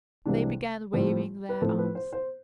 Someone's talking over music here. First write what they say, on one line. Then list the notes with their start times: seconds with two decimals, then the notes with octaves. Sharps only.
They began waving their arms.
0.25 C2 C3 E3 G#3 D4
0.93 A2 F3 A3 C4
1.49 B4
1.61 A2 F3 A3 C4 A4
1.78 B4
1.95 C5
2.13 C5